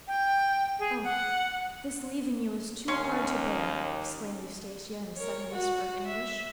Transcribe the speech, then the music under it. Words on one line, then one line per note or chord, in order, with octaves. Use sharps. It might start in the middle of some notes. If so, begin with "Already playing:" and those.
"O! this leaving you is too hard to bear!" exclaimed Eustacia in a sudden whisper of anguish.
G5
G#4
F#5
D#2 C#4 C6
A#4 C#5
F#4
E5